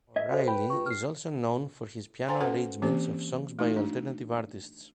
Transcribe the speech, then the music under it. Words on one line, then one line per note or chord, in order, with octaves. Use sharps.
O'Riley is also known for his piano arrangements of songs by alternative artists.
D#5 E5 G#6
F#4 A4 C5
B4 G5 B5
F4 C#6
F6 C7
C5 F5 G5 G#5 A#5 C6
C#4 F#4 A4 B4 F#5
E3 A#3 C4 C#4 G4 C5
A3 D#4 F#4
D4